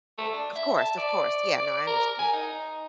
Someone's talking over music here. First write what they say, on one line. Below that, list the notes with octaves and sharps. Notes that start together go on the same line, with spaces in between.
Of course, of course, yeah, no, I understood.
A3
D4
E5
A5
D5
A#4
G#5
D#4